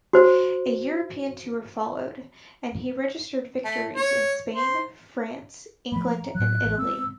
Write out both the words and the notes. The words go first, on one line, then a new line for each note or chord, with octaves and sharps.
A European tour followed, and he registered victories in Spain, France, England, and Italy.
F#4 C5
A3
C#5
C5
F3 A3 B5
A#5
A2 F#3 F#6
A1
G#3 C4 E6